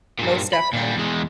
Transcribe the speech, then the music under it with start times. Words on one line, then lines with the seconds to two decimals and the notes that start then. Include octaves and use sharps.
Most definitely.
0.19 G2 A#2
0.53 B5
0.73 A#2 G3
0.97 E2 G#3